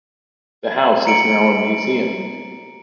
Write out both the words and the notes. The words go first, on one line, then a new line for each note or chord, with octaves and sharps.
The house is now a museum.
A#5 C#7 D7 F#7